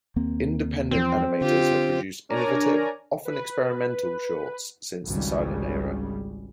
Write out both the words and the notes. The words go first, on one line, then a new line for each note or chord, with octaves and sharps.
Independent animators have produced innovative, often experimental, shorts since the silent era.
D#2 A#3 C4
E2 F3 C4
D3 F4 G4
D4 A#4 C#5 D5 G#5 A#5
B4
G#1 C#2 C#3 G3